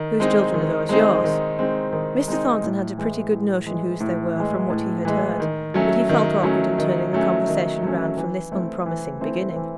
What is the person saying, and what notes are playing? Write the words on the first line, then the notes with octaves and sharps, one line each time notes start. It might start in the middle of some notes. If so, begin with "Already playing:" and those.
'Whose children are those--yours?' Mr. Thornton had a pretty good notion whose they were, from what he had heard; but he felt awkward in turning the conversation round from this unpromising beginning.
Already playing: D#3
G#3 C4 D#4
D#3
G#3 C4 D#4
D#3
G#3 C4 D#4
D#3
G#3 C4 D#4
A2
E3 G#3
A2
E3 G#3
A2
E3 G#3
A2
E3 G#3
D#3
F#3 A3 C#4
D#3
F#3 A3 C#4
D#3
F#3 A3 C#4
D#3
F#3 A3 C#4
E3
A3 C4 E4
E3
A3 C4 E4
E3